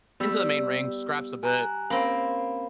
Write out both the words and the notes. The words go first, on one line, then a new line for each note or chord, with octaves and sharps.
into the main ring, scraps a bit,
G3 B3 G4 E6
G#5 A#5 F#6
A#3 C4 C#4 B5